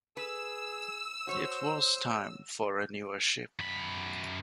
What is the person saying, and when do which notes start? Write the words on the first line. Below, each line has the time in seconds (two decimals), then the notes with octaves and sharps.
It was time for a newer ship.
0.17 G#4 B4 E6
1.27 F#4 C5 C#5
3.59 F#2 B5